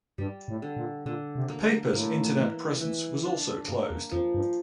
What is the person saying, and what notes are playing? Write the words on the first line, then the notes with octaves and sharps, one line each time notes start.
The paper's internet presence was also closed.
G2 G3
A2
D3
A#2
A#2 D3
C3
A#3
A2 A#3
E3
E3
D4
G2 A#3
E2
F2 F3
G2